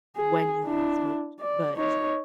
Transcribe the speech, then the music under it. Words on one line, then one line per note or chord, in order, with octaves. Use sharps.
when you have smoked, but
G#4
D4 E4
D5
D#4 C#5